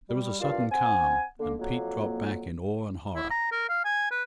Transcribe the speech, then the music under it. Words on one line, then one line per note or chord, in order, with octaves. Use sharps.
There was a sudden calm, and Pete dropped back in awe and horror.
G3
C2 G2 F4 D5 F5
C4 F#5 G#5
D3 A#3
F2 F#3 A#3
E4
A#5
A#4
F5
G#5
B4